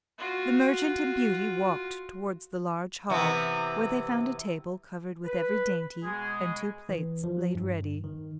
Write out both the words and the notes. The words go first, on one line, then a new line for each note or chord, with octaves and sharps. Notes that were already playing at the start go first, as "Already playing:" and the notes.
The merchant and Beauty walked towards the large hall, where they found a table covered with every dainty, and two plates laid ready.
F4 F#4
C3 E3 B3
B4
B2 G#3 G#4 G#5
E3
F3
G2
D#3